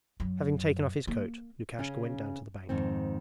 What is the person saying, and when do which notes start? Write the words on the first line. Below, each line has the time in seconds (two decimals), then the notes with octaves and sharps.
Having taken off his coat, Lukashka went down to the bank.
0.20 F#2
1.07 A#3
1.79 C#3 C#4
2.69 F2 G#2 D#3 C4